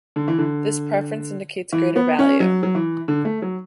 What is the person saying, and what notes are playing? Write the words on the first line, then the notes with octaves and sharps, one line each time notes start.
This preference indicates greater value.
D3
E3
D3
E3
B3
C#4
F#3
F#3
E3
D3
A3
F#3